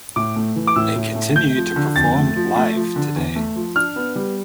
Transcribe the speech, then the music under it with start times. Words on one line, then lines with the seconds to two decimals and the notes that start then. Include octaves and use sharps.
They continue to perform live today.
0.16 A2 D6
0.36 A3
0.56 E3
0.67 D6
0.76 A2 E6
0.96 A2
1.15 A3
1.36 A3 G6
1.56 F3
1.76 D3
1.96 F2 A6
2.16 A3
2.36 F3
2.56 A3
2.76 F3
2.96 D3
3.16 E2
3.36 A3
3.56 F3
3.76 D4 F6
3.96 B3
4.16 G3